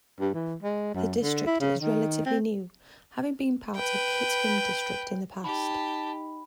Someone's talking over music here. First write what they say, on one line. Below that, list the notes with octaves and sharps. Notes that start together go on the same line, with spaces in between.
The district is relatively new, having been part of Kitgum District in the past.
G2
E3
G#3
F#2
D3
E4
C#3
D#3
C4
B4 G5
D#4 G4 A5 B5